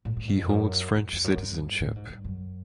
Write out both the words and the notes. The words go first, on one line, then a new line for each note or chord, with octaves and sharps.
He holds French citizenship.
A2
A2
G#2
F2
F#2
F2
F2
F#2
G2
A2
G#2
G2
F#2